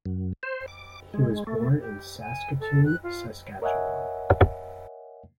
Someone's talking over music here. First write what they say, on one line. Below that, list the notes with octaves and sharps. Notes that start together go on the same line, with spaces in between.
He was born in Saskatoon, Saskatchewan.
F#2
C5
D6
G#3
A3
G4
G#5
A4
F#6
F4
A#4 C#5 D#5 E5 F#5 G#5